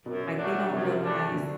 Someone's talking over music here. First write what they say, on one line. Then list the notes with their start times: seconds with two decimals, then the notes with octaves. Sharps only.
Like, they don't realize
0.06 F#2 B2
0.38 F#3 A3 D4
0.70 F#2 C3
1.02 F#3 A3 D4
1.34 D3